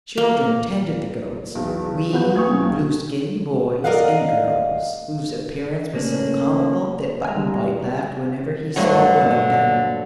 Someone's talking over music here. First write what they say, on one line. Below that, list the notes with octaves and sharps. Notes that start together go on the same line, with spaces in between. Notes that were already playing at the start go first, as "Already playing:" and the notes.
Children tended the goats--wee Blueskin boys and girls whose appearance was so comical that Button-Bright laughed whenever he saw one of them.
A#3
B1 E2
G#1 B3 F#4 B4 G6
G5 C#6 D#6 G#6
C3 F#3 C#4
B1
A#4 D5 D#5 F5 F#5
C#3 A3 A#3 C#4 D4
G3 G#3 G#5 A#5
D2 G2 D3 F#3